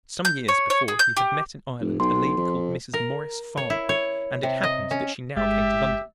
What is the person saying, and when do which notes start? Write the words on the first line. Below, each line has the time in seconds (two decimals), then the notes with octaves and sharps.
Some years before he had met in Ireland a lady called Mrs. Maurice Farmer; and it happened that she now came to London.
0.25 G6
0.48 C#5
0.70 C#5
0.88 G#4
0.99 G6
1.17 G4
1.80 F1
2.00 B1 C6
2.37 F2
2.94 A#4
3.57 C#5
3.70 E4
3.89 C#5
4.43 C3
4.63 D#5
4.91 C#4
5.36 G1 G#3 G4 E5 A6